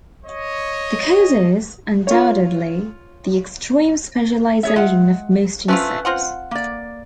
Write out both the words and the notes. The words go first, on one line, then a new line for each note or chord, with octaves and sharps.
The cause is, undoubtedly, the extreme specialization of most insects.
C#5 D#5
F4 C#5
G#4 C#5 E5
G#3 F4 F#5
A3 C4 C#4 F4 B4
C4 F4 F#5
A#3 D5